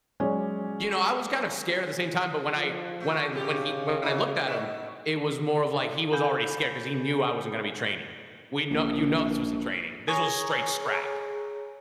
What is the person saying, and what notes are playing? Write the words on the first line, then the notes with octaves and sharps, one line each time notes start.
you know, I was kind of scared at the same time, but when I when I when he when I looked at him, it was more of like he was already scared 'cause he knew I wasn't gonna be training. We know you know this wasn't training, this was straight scrap,
F#3 G#3 C#4 D5
F3
A3
A#2 C#3 A3 G4
D#4 F#4
D#4 F#4 E5
A4 G#5 B5 G6
A#1
G#4 C#5 A#5